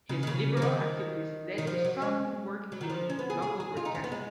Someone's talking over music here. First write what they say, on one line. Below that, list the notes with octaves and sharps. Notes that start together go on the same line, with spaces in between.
His Liberal activities led to some work in local broadcasting.
C#3
D#3
C#3
F3
D#3
D#3
F3
F#3
G#3
F#3
D#3
F3
C#4
B3
G#4
G#4
G#4
F4
D#4
C#4
B3
G#3